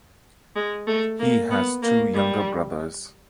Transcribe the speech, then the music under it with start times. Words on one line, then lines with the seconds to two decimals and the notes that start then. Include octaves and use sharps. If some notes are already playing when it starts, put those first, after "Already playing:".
He has two younger brothers.
0.56 G#3
0.87 A3
1.20 A#3
1.51 B3
1.83 A#3
2.15 G3